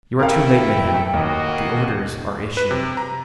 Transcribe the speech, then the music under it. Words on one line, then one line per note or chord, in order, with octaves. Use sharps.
"You are too late, madame; the orders are issued."
A3 E4 A#4 F5 G5
D#2 A#3 F#4 D#5
B4
C3
A#5